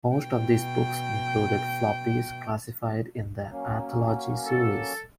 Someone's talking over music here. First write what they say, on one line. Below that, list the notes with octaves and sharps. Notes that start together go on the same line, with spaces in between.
Most of these books included floppies classified in the Anthology series.
B2 G5
F#3 A#3 C#4
A4